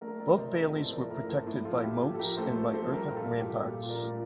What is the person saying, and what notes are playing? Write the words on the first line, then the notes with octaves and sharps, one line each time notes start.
Both baileys were protected by moats and by earthen ramparts.
A3 A#4 D5
A3 A#4 D5
C3 C5 D#5
F3 A#4 D5
A2 A4 C5
F3 A#4 D5
A2 A#4 D5
A2 A4 C5
A2
F3 F4 A4
A2 G4
F3 G4
A4
F3 G4 A#4
A3 A4 C5
A3
F3 A4 C5
G3 G4 A#4
A#2
F4 A4
G3
G4
A#2
A#2 G4
A#2
A#4 D5
A3